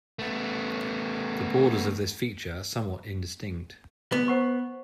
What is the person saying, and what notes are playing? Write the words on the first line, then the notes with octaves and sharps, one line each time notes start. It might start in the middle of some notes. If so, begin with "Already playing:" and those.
The borders of this feature are somewhat indistinct.
A3 B3
B3
C5 F#5 C#6